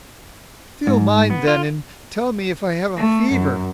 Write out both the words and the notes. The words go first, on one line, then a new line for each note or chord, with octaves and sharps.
"Feel mine then and tell me if I have a fever."
G#2
B3
F4
A3
F#2